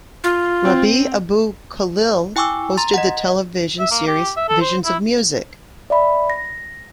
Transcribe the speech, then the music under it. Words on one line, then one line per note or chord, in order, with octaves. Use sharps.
Rabih Abou-Khalil hosted the television series "Visions of Music".
F4
C4
E4 G5 G#5 C#6 D6 E6
A#5 C6 A6
D#5 F#5
E5
A#3
G4
E5
A4
C5
E4
D5 E5 B5
A#6